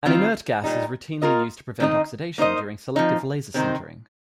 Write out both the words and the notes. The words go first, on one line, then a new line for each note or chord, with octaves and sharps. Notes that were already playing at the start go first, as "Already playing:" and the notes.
An inert gas is routinely used to prevent oxidation during selective laser sintering.
D#3 G3 C4 F4 C5
A#2 G3 D#4
A#3 F4 A#4 D#5
D#3 C4 D#4 A#4 D#5
A#3 D#4 C5 D#5
F3 C4 D#4
C3 D#3 C4 D#4 C5